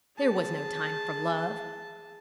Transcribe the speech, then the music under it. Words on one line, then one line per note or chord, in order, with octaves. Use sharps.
There was no time for love.
G#4 A5